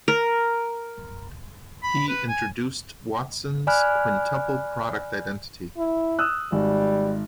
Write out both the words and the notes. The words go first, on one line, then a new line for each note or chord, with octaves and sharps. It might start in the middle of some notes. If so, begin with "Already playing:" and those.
He introduced Watson's quintuple product identity.
A#4
B5
B4
G#5
D5 G#5 B5 F6 F#6
E4
D#6 E6 F#6
G#1 G3